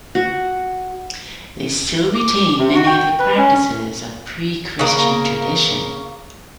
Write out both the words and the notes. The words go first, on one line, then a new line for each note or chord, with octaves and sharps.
They still retain many of the practices of pre-Christian tradition.
F#4
D6
C3
F#4
G5
B4
C#4
C#3 A#3